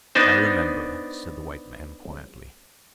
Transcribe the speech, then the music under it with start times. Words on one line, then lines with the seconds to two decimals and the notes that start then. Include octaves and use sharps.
"I remember," said the white man, quietly.
0.15 B3 D4 D#4 C5